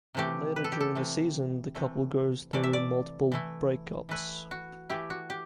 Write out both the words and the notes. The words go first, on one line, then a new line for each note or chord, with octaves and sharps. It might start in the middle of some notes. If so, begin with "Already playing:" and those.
But later during the season the couple goes through multiple breakups.
C3 E3 A3 G4
B4
A4
G4
A4
C3 E3 A3
C3 E3 A3
C3 E3 A3 D5
E5
D5
E3 A3 E4
E3 A3 E4 B4
F#4
E3 A3 E4 G4
F#4
G4